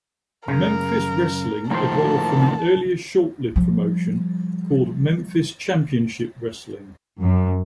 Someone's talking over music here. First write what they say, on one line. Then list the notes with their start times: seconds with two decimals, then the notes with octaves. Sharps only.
Memphis Wrestling evolved from an earlier short-lived promotion called Memphis Championship Wrestling.
0.48 F#2 C#3 A#4
1.71 A2 D#3 F3 A#3 C5 A5
3.56 F3 G3
7.21 F#2